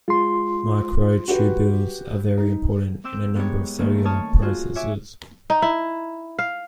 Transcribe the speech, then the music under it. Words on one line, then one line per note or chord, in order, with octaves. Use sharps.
Microtubules are very important in a number of cellular processes.
G#3 F4 C6
F#4 G4 B4
D#4
C4 D6 E6 G6
G#2 B3 G4 C#5
E2 D#3 A3 A#3 C#4
C#5 A5 C#6 D#6 F6
F4 F#4 G#4
F#4 C#5 E5 G#5 D6
D#4
E4
F5